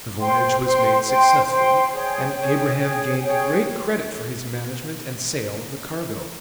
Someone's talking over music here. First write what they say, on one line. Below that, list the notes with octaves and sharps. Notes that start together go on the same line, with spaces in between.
The voyage was made successfully, and Abraham gained great credit for his management and sale of the cargo.
C5 G5 C6
C5 G5 C6
C5 G5 C6
C5 G5 C6
G#4 C#5 G5
G#4 C#5 G5
G#4 C#5 G5
G#4 C#5 G5